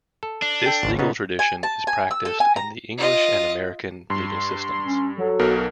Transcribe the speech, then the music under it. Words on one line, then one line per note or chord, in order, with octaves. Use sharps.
This legal tradition is practiced in the English and American legal systems.
A4
D4
A4 G5
G#1 C#2
C#3 B3 D#4
G#5
A5
G#5
E6
A4
G#5
A#5
F4 D#5
G2 C6
C#4
F#3 A4
B1 B2 A#4